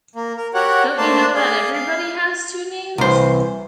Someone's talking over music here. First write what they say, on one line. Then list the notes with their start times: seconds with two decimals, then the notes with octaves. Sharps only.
Don't you know that everybody has two names?
0.15 A#3
0.37 A#4
0.54 F#4 G4 A#4 C#5 F#5
0.98 A3 A#3 C5 D5 A5
1.35 G#4 D5 F5
1.73 F5
2.98 C2 E3 C5